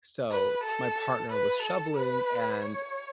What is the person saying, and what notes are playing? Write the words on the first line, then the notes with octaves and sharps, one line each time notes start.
So my partner was shoveling, and
B4
A4
B4
A4
B4
C#5